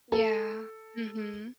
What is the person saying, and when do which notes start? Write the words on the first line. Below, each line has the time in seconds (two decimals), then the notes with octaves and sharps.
Yeah. Mhm.
0.12 A4